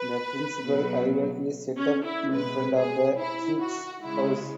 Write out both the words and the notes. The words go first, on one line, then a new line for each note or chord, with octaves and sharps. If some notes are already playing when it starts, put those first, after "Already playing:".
The principal idol is set up in front of the chief's house.
Already playing: B4
B2 F#3
C#4
E4
B2 G#3 B4
G#4
E4
F#4
C#3 G#3 E4